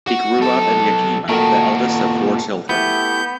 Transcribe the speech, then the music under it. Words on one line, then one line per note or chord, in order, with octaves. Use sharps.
He grew up in Yakima, the eldest of four children.
F#4
B1 A4
A#2 A3 F#4 A#4 G5
A3 B3 E4 G4 G6